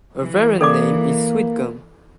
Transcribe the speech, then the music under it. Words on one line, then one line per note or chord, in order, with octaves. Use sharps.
A variant name is "Sweetgum".
E3
A#3 A4 D5 D6